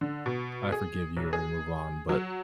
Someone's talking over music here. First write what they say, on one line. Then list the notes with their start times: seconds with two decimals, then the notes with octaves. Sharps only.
"I forgive you," we move on, but
0.01 D3
0.26 B2
0.72 G#4
1.17 B1
1.33 G#4
2.09 F#3